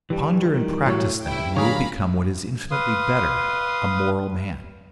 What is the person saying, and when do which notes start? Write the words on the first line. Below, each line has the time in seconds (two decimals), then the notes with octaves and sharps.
Ponder and practise them, and you will become what is infinitely better--a moral man.
0.10 G2 E3 G3
0.53 D#3
0.86 A2 F#3 C#5
1.25 G2 E4 G5
1.56 D3 F#3 A#3 G#4 C#5 F5 A#5 B5
2.71 B4 F5 C6 D#6